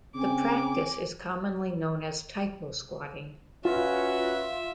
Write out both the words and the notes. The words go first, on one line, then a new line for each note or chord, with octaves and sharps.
The practice is commonly known as "typosquatting".
C#3 C4 G#5 D6
C#4 F4 F#4 B4 E5